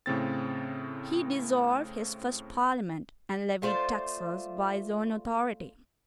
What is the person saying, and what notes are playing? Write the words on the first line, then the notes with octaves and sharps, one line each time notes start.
He dissolved his first Parliament, and levied taxes by his own authority.
A2 C#3 C4 A6
A3 F4 C5 D5